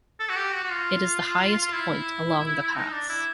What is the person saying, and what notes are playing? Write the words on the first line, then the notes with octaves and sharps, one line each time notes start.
It is the highest point along the pass.
A4
F#4
G4
F#4
F#4
F4
F4
E4
D#4
D4
E4